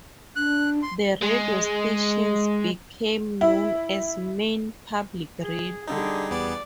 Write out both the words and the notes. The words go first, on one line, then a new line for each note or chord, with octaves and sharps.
The radio stations became known as "Maine Public Radio".
D4 F#6
C6
G#3
E4
G#4
D3 G3 D#4 G#4
E2 B3 D5 A6